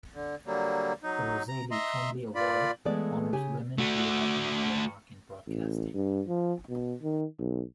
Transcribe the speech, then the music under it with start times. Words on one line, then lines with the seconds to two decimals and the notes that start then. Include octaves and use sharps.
The "Rosalie Trombley Award" honours women who have made their mark in broadcasting.
0.14 D3
0.47 D3 F#3 G3 A#3
1.03 F#3 D#4
1.48 A#5
1.71 D#5 E5 A#5 C6
2.35 A#2 F4 D5 B5
2.85 E3 G#3 A3 B3 D5
3.33 C#3 G4 G#5
3.78 A3 F#4
5.47 A1
5.94 G2
6.28 F3
6.69 B2
7.02 D#3
7.39 B1